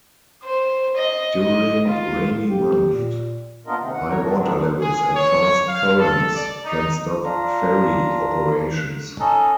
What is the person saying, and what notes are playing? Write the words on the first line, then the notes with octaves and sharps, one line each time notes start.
During rainy months, high water levels and fast currents can stop ferry operations.
C5
D#5
D#5
F4
G4
A#2
A#3 B3 D4 F4 A#4 D#5
G#2 C3 D#3
F#5
A2 C#5 A#5
A3 B3 D4
D2 D3 C4 D4 D#4
G#4
C#5
F5
A4
D5
D#4
D4 F4 A#5
C#4 D#4 A4 D#5